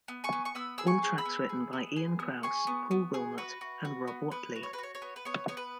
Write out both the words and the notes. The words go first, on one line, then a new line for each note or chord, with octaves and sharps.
All tracks written by Ian Crause, Paul Wilmott and Rob Whatley.
B3
G#5 C#6
B3
C#6
B3 B5 E6
G#4 E6
G#5 C#6
G#4
B5 E6
B3
G#4
B3
G#4
B3
G#4 G#5 C#6
B3
B3
G#4
F#4 B4
F#4
F#4
B3
B3 B4
F#4
C#5
B4
F#4 C#5
C#5
B3
B4
B3 C#5
B3 C#5
B4